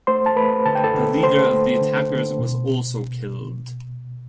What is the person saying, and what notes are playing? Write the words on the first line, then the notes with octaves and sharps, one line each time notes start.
The leader of the attackers was also killed.
A3 C5 C6
A5
A3 B4 B5
D3 A5
G5
A4 A5
D3
A3 C5 C6
A3
D3
D3
B2